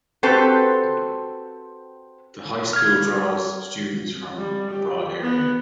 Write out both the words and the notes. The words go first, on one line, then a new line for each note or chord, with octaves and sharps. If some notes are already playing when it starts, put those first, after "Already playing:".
The high school draws students from a broad area.
C4 F#4 G4 A4 B4 C5
F6 G#6
G3
G4
B3